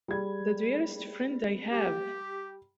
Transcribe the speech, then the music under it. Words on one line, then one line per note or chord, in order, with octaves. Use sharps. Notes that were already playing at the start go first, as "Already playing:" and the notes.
The dearest friend I have!
G3 G#4 D5 B5 G#6
G4